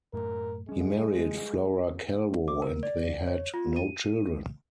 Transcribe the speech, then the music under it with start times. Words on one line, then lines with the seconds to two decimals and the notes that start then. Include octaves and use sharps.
He married Flora Calvo and they had no children.
0.14 F#2 A2 A3 A#4
0.69 G3 G#3 C#4
2.48 D6
2.62 A#4
2.83 D5
3.28 C#5
3.54 F4
3.76 D#7